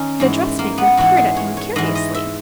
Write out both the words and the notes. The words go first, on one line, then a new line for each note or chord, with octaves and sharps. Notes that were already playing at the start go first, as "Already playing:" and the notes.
The dressmaker peered at him curiously.
Already playing: D#3 C#4 D#4
G#2 E3
A#3
B3
G#2 E3 F#4
G#4
C#5
C#5
G#2 E3 D#5
D#5
E5